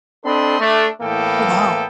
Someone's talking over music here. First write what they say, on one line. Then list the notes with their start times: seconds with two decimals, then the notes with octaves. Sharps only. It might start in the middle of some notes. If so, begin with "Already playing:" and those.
Oh, wow.
0.25 C4 D4 A4 D#5 B5 C6
0.60 A3 D4
1.01 A2 E3 A#3 B3 A4 G5